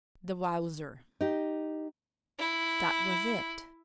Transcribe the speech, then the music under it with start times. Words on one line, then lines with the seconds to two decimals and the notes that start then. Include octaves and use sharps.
The Wowzer! That was it!
1.21 D#4 G4
2.38 E4